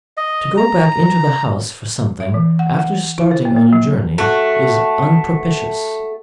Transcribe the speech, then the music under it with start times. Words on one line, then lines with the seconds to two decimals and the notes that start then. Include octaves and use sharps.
To go back into the house for something after starting on a journey is unpropitious.
0.17 D#5
0.57 A#5
2.20 E5
2.34 E3
2.59 F#5
2.79 F#5
3.18 E4
3.31 C5
3.45 A#3
3.56 A#3
3.73 F#3
4.18 A3 F#4